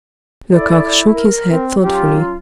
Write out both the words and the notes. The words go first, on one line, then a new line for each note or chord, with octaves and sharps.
Lecoq shook his head thoughtfully.
E4 A4 D5
A#4
C4
F#3 C#4 F4 G4